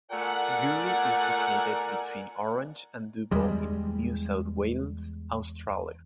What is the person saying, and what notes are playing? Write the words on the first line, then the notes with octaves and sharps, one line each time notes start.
Geurie is located between Orange and Dubbo in New South Wales, Australia.
A3 F4 A#4 D5 F#5 G#5
E2 G3 G#3